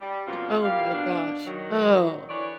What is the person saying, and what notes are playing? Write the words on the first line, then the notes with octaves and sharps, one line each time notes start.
Oh my gosh. Oh.
G3
F2 B2 F3 A#3 C#4 F4
A#2 G3 G4 F5
B2 D4
D#3 F#3
D3 E3 B4 C#5 D5